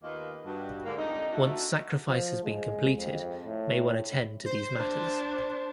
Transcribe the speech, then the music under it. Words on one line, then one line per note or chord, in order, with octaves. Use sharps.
Once sacrifice has been completed, may one attend to these matters.
D#2 D#3 A#3 B3 F4 D#5
G2 F#4
G#2 D3 A#3
F2 D3 G3 D#4
A3 D4 E4 F#4
F3
G#3
F2
A2
C5
D4